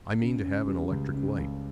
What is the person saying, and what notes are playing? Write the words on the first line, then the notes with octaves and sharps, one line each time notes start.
"I mean to have an electric light."
C#3
C#3
G3
C#2
C#3
C#2